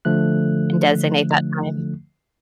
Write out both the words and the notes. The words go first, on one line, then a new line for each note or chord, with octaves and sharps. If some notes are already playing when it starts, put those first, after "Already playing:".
and designate that time.
D3 F3 A3 F#6